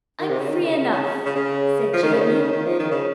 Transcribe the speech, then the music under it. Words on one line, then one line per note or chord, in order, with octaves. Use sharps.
"I'm free enough," said Jamie.
D#3
C3
C#3
D#3
C#3
C#3
C#3
C#3
C#3
C#3
F3
D#3
C#3
D#3
C#3
D#3
F3
D#3
C#3